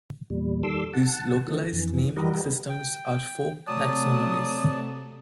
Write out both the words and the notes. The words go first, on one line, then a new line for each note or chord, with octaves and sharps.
These localised naming systems are folk taxonomies.
E2 A#2 G3
D#3 G3 A4 C6 D6 E6
F#5 A5
D3 E3 F3 A3
F2 E3
G3 F#4 G4 A#4 B4 D#5
G5
C3 F#3 A3 D5 A5 D#6